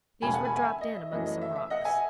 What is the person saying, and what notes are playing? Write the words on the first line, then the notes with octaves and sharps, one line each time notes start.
These were dropped in among some rocks.
E1 D#2 C#3 G#5 B5
F#5 A5
G#5 B5
E5 G#5
D#5
E5
F#2 E3 A3 D#5
D#5
E5
E5
D#5 F#5
E5 G#5